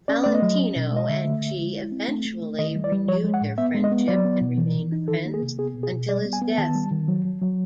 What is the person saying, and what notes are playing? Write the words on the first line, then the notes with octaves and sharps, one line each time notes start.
Valentino and she eventually renewed their friendship, and remained friends until his death.
C#4 D5
A3 D5
D#5
F#3
C#4
B2
G#3 D#5
D3 E5
A3
D3
G#3
E4
C4
A3
A3
A3
D#3 D#5
G3
D5
G3
F3 C#5
G#3
F#5
A2
B3 E5
G#3
D#5
B3
F#3 D5
B3
B2
E3
E3
D#4
D#3 A4
A#3
G#4
C3
B3 G#4
B2
G#4
B2
G3 D5
B3
G#5
B3
D#3 A5
G3
D#3
F#3
F#3
F#3